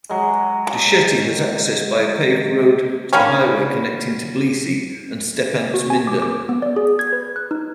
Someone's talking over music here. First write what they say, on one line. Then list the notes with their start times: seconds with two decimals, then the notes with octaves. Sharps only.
Dusheti has access by a paved road to the highway connecting Tbilisi and Stepantsminda.
0.09 F#3 G#3
3.13 D3 A#3 C#4 G5 B5
5.74 F#4
5.90 G#5
6.07 D6
6.22 D6
6.49 B3
6.62 D5
6.76 G#4
6.99 G#6
7.12 B4
7.36 F#6
7.51 D#4